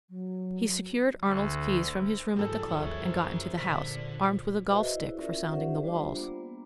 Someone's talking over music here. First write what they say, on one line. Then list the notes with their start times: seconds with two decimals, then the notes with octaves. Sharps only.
He secured Arnold's keys from his room at the club and got into the house, armed with a golf-stick for sounding the walls.
0.10 F#3
1.21 D2
2.36 G#2 D#3 F3 G3 G#4 A4
2.71 D#2 F#4 G#4 C#5 E5
3.00 F#2 A#4 C5
3.58 A#2 D3 B6
4.66 F#4 G#4 B4 C5 D#5 E5
4.92 E4 D5
5.17 C#4 F4 A#4 E5
5.50 G4 C5 D5 E5 F#5
5.83 G3 D4 F4 C5 D6
6.17 A#3 B3